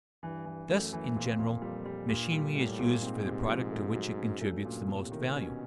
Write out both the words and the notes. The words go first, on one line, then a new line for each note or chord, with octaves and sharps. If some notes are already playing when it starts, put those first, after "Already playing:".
Thus, in general, machinery is used for the product to which it contributes the most value.
G2 E3
E3
F#2 A3
E3
F2 A#2
A#2
F2 G3
G3
G2 A#2
G3
A2 G3
A#2
G#2 C4
C3
F3
A3
F#3
C#4
G2 A3
A#2
A2 C3
D#3
B2 C#4